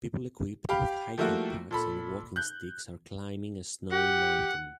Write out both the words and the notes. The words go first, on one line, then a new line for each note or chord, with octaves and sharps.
People equipped with hiking packs and walking sticks are climbing a snowy mountain.
G4 F5 B5
F3 G3 A3 A#3 E4 F#4
A#2 A4 B5
F#6 G6
G4 F#5